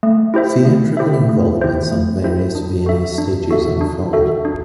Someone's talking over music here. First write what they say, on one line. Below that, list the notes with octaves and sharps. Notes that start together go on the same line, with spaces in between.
Theatrical involvements on various Viennese stages followed.
A3
E4 G4 C5 E5
A3
E4 G4 C5 E5
A3
E4 G4 C5 E5
A3
E4 G4 C5 E5
D4
F#4 A4 E5
D4
F#4 A4 E5
D4
F#4 A4 E5
D4